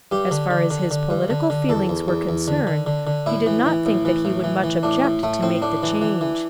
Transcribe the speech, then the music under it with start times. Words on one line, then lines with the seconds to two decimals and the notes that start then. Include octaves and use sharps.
As far as his political feelings were concerned he did not think that he would much object to make the change.
0.12 G2 G4
0.31 D3
0.51 D3
0.71 D3
0.91 D3
1.10 G2
1.30 D3
1.50 D3
1.69 E2 A4
1.89 E2
2.08 E2
2.29 E2
2.48 D3
2.67 D3
2.86 D3
3.07 D3
3.26 A2 E4
3.46 E3
3.66 E3
3.86 A2
4.05 E3
4.25 A2
4.44 E3
4.64 E3
4.83 A2 D4
5.04 A2
5.23 A2 A3
5.42 A2 C4
5.62 A2 D4
5.83 E3
6.01 E3
6.21 E3